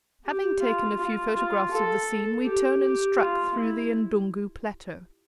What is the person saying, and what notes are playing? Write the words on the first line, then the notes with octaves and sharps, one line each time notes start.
Having taken a few photographs of the scene, we turned and struck through the N'dungu Plateau.
G4
F4
F4
F4
A4
G4
G4
F4
E4